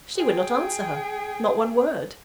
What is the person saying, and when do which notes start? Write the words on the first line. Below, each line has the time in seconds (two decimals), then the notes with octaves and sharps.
She would not answer her--not one word.
0.17 G#4 G5